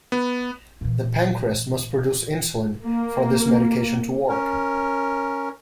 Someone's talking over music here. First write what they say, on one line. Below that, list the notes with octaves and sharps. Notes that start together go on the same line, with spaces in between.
The pancreas must produce insulin for this medication to work.
B3
A#2 E3
A#3
C#4 A#4